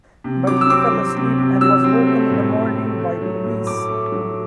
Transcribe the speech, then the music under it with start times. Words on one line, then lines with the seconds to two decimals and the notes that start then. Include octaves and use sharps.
But he fell asleep and was woken in the morning by police.
0.24 C3
0.47 F#3 D6
0.61 E6
0.70 C4 D6
0.93 F#3
1.16 C3
1.39 C3
1.61 F#3 E6
1.84 C4
2.07 A3
2.30 A2
2.53 A3
2.75 A3
2.99 A3
3.22 F#3
3.44 A2
3.67 A3 D6
3.89 A3
4.12 F#3